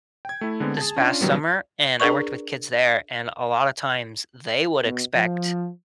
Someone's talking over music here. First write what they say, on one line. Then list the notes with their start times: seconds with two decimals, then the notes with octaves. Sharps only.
this past summer, and I worked with kids there. And a lot of times, they would expect,
0.25 G5 G#6
0.41 A3 E4
0.60 D3 G#3 B3 C4
0.77 G#4 A5
0.96 C#4 D4 F4
1.21 B2 D#3 F#3 G3 B3
2.00 D4 G#4 A#4 B4 D5 C#6
4.83 B2
5.14 F3